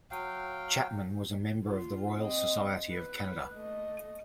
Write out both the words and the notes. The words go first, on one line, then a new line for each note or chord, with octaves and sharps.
Chapman was a member of the Royal Society of Canada.
F#3 F5 G5
F4
C4 D#5
B4
A3 D#5